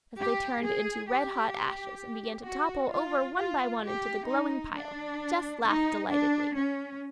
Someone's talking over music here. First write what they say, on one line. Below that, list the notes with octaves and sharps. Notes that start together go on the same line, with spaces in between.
As they turned into red-hot ashes and began to topple over one by one into the glowing pile, Jess laughed delightedly.
G4
G#4
G4
F#4
F4
F4
G4
D#4
D4
D#4
D4
C#4